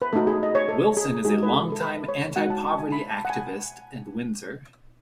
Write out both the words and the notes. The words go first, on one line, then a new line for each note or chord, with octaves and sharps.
Wilson is a longtime anti-poverty activist in Windsor.
B4
A3 D#4 F#4 A4
G#4
D#5
C#5
A4
G#4
G#3 D#4 F#4 G#4
B4
A4
A4
B4
C#5
G#3 D#4 F#4 F#5
A5
A5
G#5
B5
A5
F#5
G#5